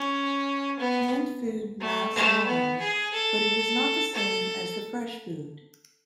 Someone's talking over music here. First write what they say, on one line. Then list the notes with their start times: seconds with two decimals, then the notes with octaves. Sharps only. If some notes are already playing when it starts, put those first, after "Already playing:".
Canned food lasts long but is not the same as the fresh food.
Already playing: C#4
0.79 B3
1.80 A3
2.13 A3
2.47 B3
2.81 G#4
3.14 A4
4.14 A4